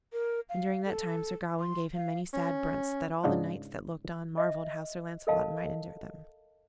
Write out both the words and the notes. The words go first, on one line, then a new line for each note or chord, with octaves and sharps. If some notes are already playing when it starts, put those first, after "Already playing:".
And during that time Sir Gawain gave him many sad brunts, that all the knights that looked on marvelled how Sir Launcelot might endure them.
A#4
F5
A4
C6
F5
C#4
G#2 C#3 D4 D#4 F4 F#5
D#5 E5
A4 A#4 D#5 F5 A5